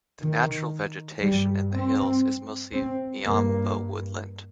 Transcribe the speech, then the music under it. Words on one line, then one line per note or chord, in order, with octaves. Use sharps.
The natural vegetation in the hills is mostly miombo woodland.
D#3
G2 G3
C4
C4
G2 A#3